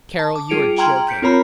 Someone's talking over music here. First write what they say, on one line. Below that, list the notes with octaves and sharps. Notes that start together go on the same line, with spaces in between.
"Carol, you are joking."
A5
D6
G3 F4 G#4 C#7 D7 F7
G5 A#5 C6 F6 G#6 F#7
G6 B6 C#7 D7
C4 F4 A#4 C#5 A#5 B5